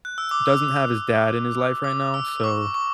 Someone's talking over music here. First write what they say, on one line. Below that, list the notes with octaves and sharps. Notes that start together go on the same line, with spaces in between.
doesn't have his dad in his life right now, so,
F#6
E6
D6
E6
D6
E6
C#6
C#6